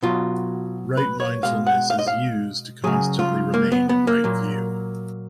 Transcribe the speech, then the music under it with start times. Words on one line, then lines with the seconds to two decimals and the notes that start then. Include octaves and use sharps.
Right mindfulness is used to constantly remain in right view.
0.03 B2 F#3 F4
0.97 B4
1.20 C#5
1.43 B2 G#3 F5
1.67 F#5
1.90 F5
1.99 D#5
2.07 F5
2.84 C#3 F#3 G#4
3.19 F4
3.54 A#3
3.72 B3
3.89 B3
4.07 A#3
4.24 A#2 F#3